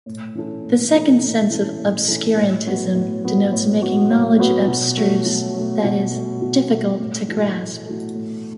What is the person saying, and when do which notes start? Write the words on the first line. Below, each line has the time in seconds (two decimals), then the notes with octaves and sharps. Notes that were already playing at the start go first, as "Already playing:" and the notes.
The second sense of "obscurantism" denotes making knowledge abstruse, that is, difficult to grasp.
0.06 A2
0.35 E3 C#4 E4 A4
0.64 A2
0.93 E3 C#4 E4 A4
1.22 A2
1.50 E3 C#4 E4 A4
1.79 A2
2.08 E3 C#4 E4 A4
2.37 A2
2.67 F#3 B3 F#4
2.95 A2
3.24 F#3 B3 F#4
3.53 A2
3.82 F#3 B3 F#4
4.11 A2
4.39 F#3 B3 F#4
4.68 B2
4.97 F#3 A3
5.26 B2
5.54 F#3 A3
5.84 B2
6.12 F#3 A3
6.42 B2
6.71 F#3 A3
6.99 A2
7.28 E3 A3 F#4 A4
7.57 A2
7.86 E3 A3 F#4 A4
8.15 A2